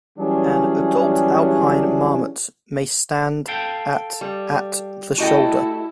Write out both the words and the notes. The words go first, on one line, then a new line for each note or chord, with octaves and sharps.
An adult alpine marmot may stand at at the shoulder.
E3 F#3 G3 C#4 D4 G#4
A4 F5 G5
G3
A3 E4 F#4 G4 A4 D#5 G5